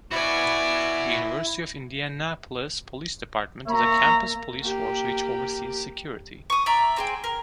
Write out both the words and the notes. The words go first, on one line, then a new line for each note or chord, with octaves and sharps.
The University of Indianapolis Police Department is a campus police force which oversees security.
E4 F#4 B4 D5 G#5
A#3 C#5 E5 A#5
A#3 G4
C#6 D#6
D5 E5 A#5
C4 G#4 G5
A#4